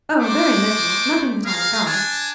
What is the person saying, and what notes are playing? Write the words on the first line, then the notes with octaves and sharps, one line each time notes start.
"Oh! very little, Nothing that I regard."
G#3 A3 C5 D6
G#4 A#4 F5
D4 G#5